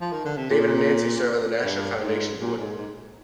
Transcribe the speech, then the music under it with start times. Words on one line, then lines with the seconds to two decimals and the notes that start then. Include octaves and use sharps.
David and Nancy serve on the Nasher Foundation Board.
0.01 F3
0.12 D#3
0.25 D3
0.37 C3
0.50 A#2
1.64 G2
2.02 G#2
2.40 A#2
2.59 G#2
2.77 G#2